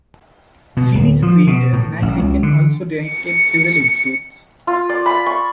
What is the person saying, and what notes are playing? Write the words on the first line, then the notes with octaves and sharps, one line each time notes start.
Series creator Nat Hiken also directed several episodes.
B2
D1
F3
B2
A2
A1
C#2
D3
C#7
F4
D5
B5
C#6